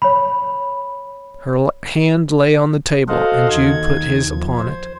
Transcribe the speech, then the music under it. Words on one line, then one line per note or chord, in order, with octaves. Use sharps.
Her hand lay on the table, and Jude put his upon it.
C#5 B5
F#4 A4 C5 D#5 F5 F#5
D#2 D#3 G#6
F3
C5